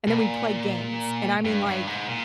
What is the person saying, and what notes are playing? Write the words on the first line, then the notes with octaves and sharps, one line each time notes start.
and then we'd play games, and I mean, like,
B2
A#2
G2
G2
G#2
A#2